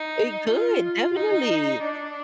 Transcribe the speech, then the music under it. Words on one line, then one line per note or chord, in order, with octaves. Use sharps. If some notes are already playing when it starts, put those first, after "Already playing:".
It could, definitely,
Already playing: D#4
F4
D#4
D4